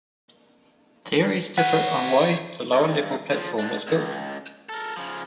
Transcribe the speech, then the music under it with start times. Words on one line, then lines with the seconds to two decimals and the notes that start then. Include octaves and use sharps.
Theories differ on why the lower level platform was built.
1.58 B4 C#5 F#5
2.72 G2
3.32 A#2 F3
3.58 G#2 D4
3.87 C#2
4.69 A4 A#4
4.96 C#3 F3